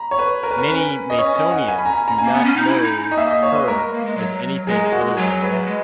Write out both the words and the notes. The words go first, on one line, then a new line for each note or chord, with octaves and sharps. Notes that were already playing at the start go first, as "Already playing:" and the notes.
Many Masonians do not know her as anything other than that.
Already playing: A#5 B5
C#5
B4
A#4
B4
A#4
C#4 B4
D#5
C#5
D#5
F#5
G#5
B5
A#5
G#5
A#5
A#3 G#5
B3
C#4
D#4
E4
D#4
D#4
D#5
A#3 E5
D#5
C#5
B4
G#3 A#4
A#3
G#3
F#3
G#3 G#4
A#4
G#4
F#4
F#3 G#4
B4
G#3